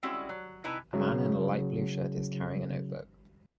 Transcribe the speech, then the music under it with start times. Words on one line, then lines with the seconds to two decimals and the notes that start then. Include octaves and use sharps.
A man in a light blue shirt is carrying a notebook.
0.03 G3 G#3 C4 C#4 E4 F#4
0.29 F#3
0.64 C3 D#4 E4 B4 G#5 A#5
0.93 C#3 F#3